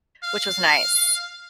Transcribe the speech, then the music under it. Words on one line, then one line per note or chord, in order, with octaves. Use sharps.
which was nice.
F5